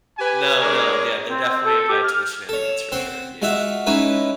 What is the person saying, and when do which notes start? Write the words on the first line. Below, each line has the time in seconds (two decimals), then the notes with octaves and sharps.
No, no, d yeah, they're definitely invited to the shenanigans for sure, you know?
0.18 G4 B4 G#5
0.61 G#3 D4 G#4 A#4 C#5
1.29 C4
1.66 A4
1.89 G4
2.03 F6
2.49 A4 C#5
2.92 C4 C5 F#5
3.42 G#3 F4 F#4 E5 F#5
3.86 G#3 C#4 D#4 E4 B4